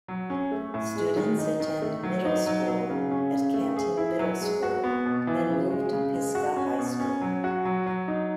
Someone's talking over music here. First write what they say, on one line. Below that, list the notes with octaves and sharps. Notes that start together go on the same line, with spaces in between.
Students attend middle school at Canton Middle School then move to Pisgah High School.
F#3
C#4
A3
A2
G#3
D#3
D#4
D#3
A3
F#3
D#4
F#3
F#3
C#3
C#4
C#3
A3
G#4
E4
F#3
G#3
F#4
B3
B2
E3
C#3
G#3
C#3
G#3
F#4
C#4
B2
C#4
F#3
F#4
F#3
F#3
D#4